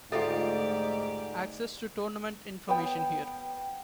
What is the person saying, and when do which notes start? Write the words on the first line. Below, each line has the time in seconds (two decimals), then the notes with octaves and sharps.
Access to tournament information here.
0.12 D2 G#2 D#4 F4 G4 A4 D5 E5
2.69 B3 G5